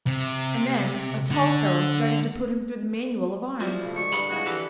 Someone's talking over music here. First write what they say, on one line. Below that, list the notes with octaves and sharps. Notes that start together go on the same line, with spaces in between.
And then a tall fellow started to put him through the manual of arms.
C3
D3
F3 G3 E4 F#4 G4
C#3 A3 E4
D3 G#3 C#6
G2 G#4 F#5 B5
E3 F3 G#3 C4 F#4
D3 E3 G4